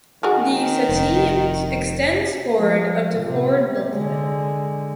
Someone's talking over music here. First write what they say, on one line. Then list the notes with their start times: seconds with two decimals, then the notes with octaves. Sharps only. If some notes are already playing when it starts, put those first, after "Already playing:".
The settee extends forward of the forward bulkhead.
0.23 D#3 F#4 G#4 A#4
0.89 F1
2.58 F3
3.21 C3
3.90 D3 G#3